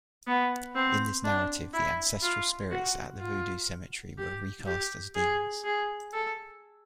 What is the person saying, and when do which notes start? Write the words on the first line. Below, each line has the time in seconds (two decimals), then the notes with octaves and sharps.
In this narrative, the ancestral spirits at the Vodou cemetery were re-cast as demons.
0.28 B3
0.76 C4
1.25 D4
1.74 E4
2.22 F4
2.71 F#4
3.20 F4
4.18 G4
4.67 G4
5.15 G#4
5.64 G#4
6.14 A4